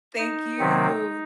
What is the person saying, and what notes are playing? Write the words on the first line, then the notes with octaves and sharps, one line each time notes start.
Thank you.
D#4
C3 D#3 F#3 C4